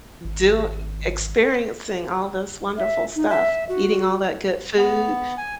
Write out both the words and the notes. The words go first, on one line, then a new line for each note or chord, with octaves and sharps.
doi experiencing all this wonderful stuff, eating all that good food."
G#1
E5
D#4
E5
F#4
B3
G#5